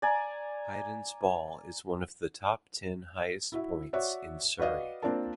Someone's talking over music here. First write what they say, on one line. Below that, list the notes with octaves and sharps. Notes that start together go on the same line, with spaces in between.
Hydon's Ball is one of the top ten highest points in Surrey.
D5 G#5 A#5
E4 F#4 E5
F#4 C#5 D5 E5 F#5
F#4 B4 D5 D#5 F5
A#3 C4 D4 F4 A#4 A5